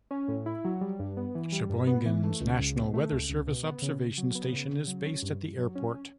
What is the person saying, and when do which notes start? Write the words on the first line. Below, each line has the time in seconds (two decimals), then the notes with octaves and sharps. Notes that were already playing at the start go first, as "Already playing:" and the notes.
Sheboygan's National Weather Service observation station is based at the airport.
0.11 C#4
0.28 A2
0.46 E4
0.65 F#3
0.81 G3
0.99 G2
1.17 B3
1.35 E3
1.52 G3
1.70 G2
1.87 B3
2.06 E3
2.24 A3
2.40 C#2
2.59 C#2
2.76 B2
2.94 A3
3.12 C#2
3.29 C#2
3.47 B2
3.64 B3
3.82 C#3
4.00 C#3
4.18 F#3
4.35 B3
4.52 C#3
4.70 C#3
4.87 F#3
5.05 C#4
5.22 G2
5.41 G2
5.58 F#3
5.75 C#4